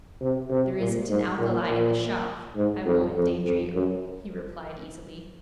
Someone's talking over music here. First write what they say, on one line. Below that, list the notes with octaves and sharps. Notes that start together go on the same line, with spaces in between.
'There isn't an alkali in the shop; I won't endanger you,' he replied easily.
C3
C3
A#2
G#2
A#2
A#2
G#2
F2
F2
F2
F#2